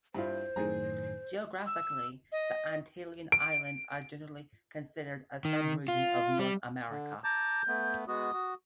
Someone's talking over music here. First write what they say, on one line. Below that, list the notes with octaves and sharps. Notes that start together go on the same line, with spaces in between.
Geographically, the Antillean islands are generally considered a subregion of North America.
G2 E4 F4 C5
F#2 A2 D#3 C4 G#4 A#5
E6
D#5
D7
D#3
F4
G3
D3
A5 A#5 D6 G6
A3 B3
G#3 B3 F#4 D#6
F#4